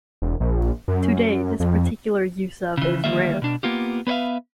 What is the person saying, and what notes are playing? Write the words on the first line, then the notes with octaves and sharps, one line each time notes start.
Today, this particular use of is rare.
E1
A#1
F#2
F2
C#3 E3
D2 B2 D#3 G3 A#3 E5
B2 D4
A#3 B3 F4 G4
B3 B4 C5 E5 F5